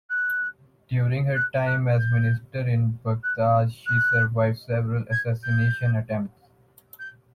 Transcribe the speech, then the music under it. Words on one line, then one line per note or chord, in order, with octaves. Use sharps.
During her time as minister in Baghdad she survived several assassination attempts.
F#6
F#6
F#6
G6
F#6
F#6
G#6
G6
G6